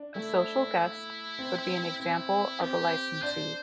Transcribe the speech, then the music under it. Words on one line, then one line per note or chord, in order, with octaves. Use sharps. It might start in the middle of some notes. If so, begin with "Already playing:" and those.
A social guest would be an example of a licensee.
Already playing: D4
A3 E4
C4
C4 E4
C4 G4
D4 C5